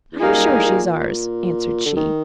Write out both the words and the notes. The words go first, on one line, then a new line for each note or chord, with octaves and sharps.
"I am sure she is ours," answered she.
E2
F2 G3 A#3 D#4 G#4
F#2
A2
A#2
D3
D#3